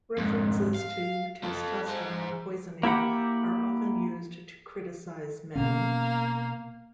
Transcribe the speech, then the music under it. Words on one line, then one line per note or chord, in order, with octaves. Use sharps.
References to testosterone poisoning are often used to criticize men.
F2 G#2
F5
F4 A4
G#4 C5
A#3 E4 G4 F#5
B2 A#3 C#4 F5